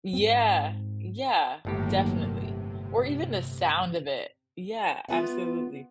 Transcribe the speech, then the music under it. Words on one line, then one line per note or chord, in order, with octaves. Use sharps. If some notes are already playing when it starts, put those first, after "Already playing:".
Yeah. Yeah. Definitely. Or even the sound of it. Yeah, absolutely.
G#2 C4
G1 A2 D#3 F#3 A#3 G4
C3
B3 F4 B4 E5 F#5